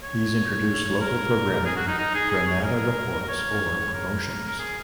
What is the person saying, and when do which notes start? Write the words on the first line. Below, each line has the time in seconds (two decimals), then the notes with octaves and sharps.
These introduced local programming, "Granada Reports", or promotions.
0.03 C#5
1.01 A#4
1.66 G#4
1.77 F#4
1.88 D#4
1.98 D#4
2.14 G#4
2.30 G#4
2.47 C#5
2.63 A#4
3.29 C#5
3.94 A#4
4.48 A#4
4.59 G#4